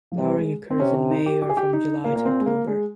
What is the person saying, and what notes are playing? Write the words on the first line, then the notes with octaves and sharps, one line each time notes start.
Flowering occurs in May or from July to October.
F3
C3 G3
G#3
C4
C3 C#4
C#4
D#4
G4
G4
G#4
G4
D#4
A#2 A#3
A#3
C4
G#3
A#3
G#3